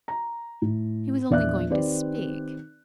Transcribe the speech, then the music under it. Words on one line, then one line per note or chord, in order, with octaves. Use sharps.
He was only going to speak.
A#5
A2
A#1 E2 D5 E5 F#6
D#3 C4 G4 B4 D5